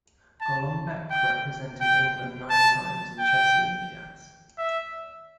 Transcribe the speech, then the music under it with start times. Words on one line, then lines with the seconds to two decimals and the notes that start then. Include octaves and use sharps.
Golombek represented England nine times in chess Olympiads.
0.41 A5
1.10 G5
1.80 G5
2.50 A5
3.19 G5
4.58 E5